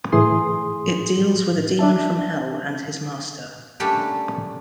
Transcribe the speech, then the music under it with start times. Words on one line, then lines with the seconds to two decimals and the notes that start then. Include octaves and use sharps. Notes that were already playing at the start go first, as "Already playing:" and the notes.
It deals with a demon from Hell and his master.
0.12 A2 E3 G#4 C6 D#6
1.79 D4 D5 E5 A5
3.80 G3 A3 A#3 C#4 D4 G4